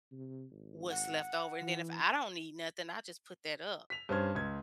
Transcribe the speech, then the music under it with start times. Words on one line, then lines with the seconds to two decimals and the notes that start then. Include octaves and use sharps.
what's left over, and then if I don't need nothing, I just put that up,
0.12 C3
0.51 G#1
0.90 F#5
1.62 E3
3.90 B6 F7
4.09 G2 C#4 C5 F6 G#6
4.35 C#2 G#6